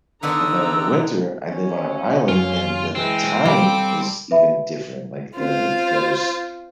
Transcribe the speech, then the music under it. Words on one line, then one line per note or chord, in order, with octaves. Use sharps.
and then in the winter I live on an island and the time is even different, like, the it goes,
D3 D#3 B3 D4 D#4 A#5 E6
C#4
F#2 F4
E3 G#3 C4 E4 B4
G3 A4 F5 D6
B4 E5 B5
C4 C#4 F4 C5